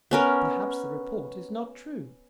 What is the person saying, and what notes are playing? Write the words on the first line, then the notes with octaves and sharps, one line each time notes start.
Perhaps the report is not true?
B3 C#4 A#4